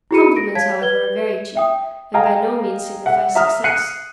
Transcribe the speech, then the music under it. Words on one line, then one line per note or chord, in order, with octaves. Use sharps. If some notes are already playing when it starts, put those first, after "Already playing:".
Compliments, however, are very cheap, and by no means signify success.
E4 F#4 G#4 B5 C#7 D#7
A#6 D7
C#5 F5 A5 G#6 B6
B4 G#6 G7
E5 G5 D#6
D#5 F5 G5 G#5 A#5
E5 F#5
E5 A#5 D#6 F6
F#6 C7 C#7 D#7